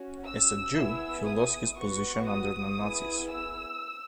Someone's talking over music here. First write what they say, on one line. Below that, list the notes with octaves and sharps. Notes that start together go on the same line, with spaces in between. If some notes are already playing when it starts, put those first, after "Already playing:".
As a Jew, he lost his position under the Nazis.
Already playing: C#4 F#4
E6
B3 E4 G#4
D#6
B3 F#4 C#6
D#6
B3 E4 G#4
E6